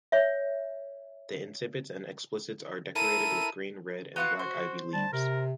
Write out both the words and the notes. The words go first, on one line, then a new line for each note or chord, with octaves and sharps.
The incipits and explicits are decorated with green red and black ivy leaves.
C#5 E5
E4 A4 A#4 D#7
B3 F4 F#4 F#5
C5
G3 A5
C3 A#4